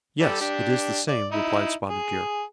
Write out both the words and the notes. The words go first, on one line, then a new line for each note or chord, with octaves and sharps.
"Yes, it is the same," replied Spotted Deer.
G3 A4 D5
D4 G4
D5
D#4 E4
G#4